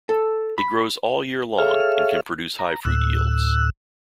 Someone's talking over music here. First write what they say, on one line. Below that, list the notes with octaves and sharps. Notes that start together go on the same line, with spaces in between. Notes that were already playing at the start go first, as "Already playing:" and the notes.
It grows all year long and can produce high fruit yields.
A4
B5
G#4 A4 C#5 E5 F5 F6
A#5
D2 A2 E6 F#6